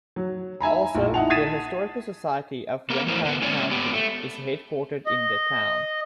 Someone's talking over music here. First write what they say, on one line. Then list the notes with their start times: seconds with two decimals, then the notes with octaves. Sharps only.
Also, the Historical Society of Windham County is headquartered in the town.
0.16 F#3
0.61 E5 G#5 A#5 B5
0.95 A#1 A2
1.14 D#4 E4 F#5 A5 F7
1.30 D#6 G#6 A6 B6 D#7 E7
2.90 B3 A#4
3.07 E2 A3 E4 A#4 C5
3.25 D3 B3
3.42 G#3 A#3 C#4 C#5 D5
3.71 B3 G4
3.94 A3
5.06 D#5